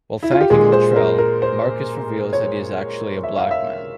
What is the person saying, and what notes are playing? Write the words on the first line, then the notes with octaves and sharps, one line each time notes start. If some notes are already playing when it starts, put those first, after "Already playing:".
While thanking Latrell, Marcus reveals that he is actually a black man.
E4
F4
G4
A#2 G#3 G#4
C5
A#4
A#4
C5
C#5
E5
F5
E5